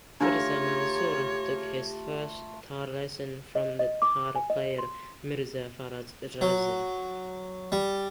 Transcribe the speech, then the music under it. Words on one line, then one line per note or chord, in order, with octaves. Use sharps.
Mirza Mansur took his first tar lessons from the tar player Mirza Faraj Rzayev.
A3 D4 F4 G4 A#4 C#5
D#5
D#5
D6
G#5
D#5
C6
F#3
G3